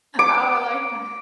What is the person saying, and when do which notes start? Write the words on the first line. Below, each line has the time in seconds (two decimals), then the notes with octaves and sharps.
Oh, I like that.
0.19 D6